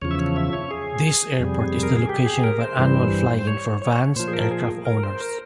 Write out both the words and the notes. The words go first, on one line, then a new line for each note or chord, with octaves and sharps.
This airport is the location of an annual fly-in for Van's aircraft owners.
E2 C#3 F3 C#5
E5
C#5
E5
C#5
G#4
F2 C3 G3
A#4
G#4
G4
G#4
A#4
C5
G2 E3 G3
C5
C#5
C#5
A#2 F3 C5
G#4
A#4
G#4
A#4
C5
A#4